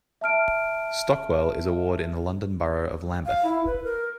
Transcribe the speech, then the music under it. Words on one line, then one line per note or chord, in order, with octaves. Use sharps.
Stockwell is a ward in the London Borough of Lambeth.
E5 A5 F6 D7
F5
E4
B4
A#4